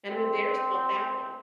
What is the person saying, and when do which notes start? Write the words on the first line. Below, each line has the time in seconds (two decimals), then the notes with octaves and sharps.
and I'm embarrassed about that one.
0.11 C4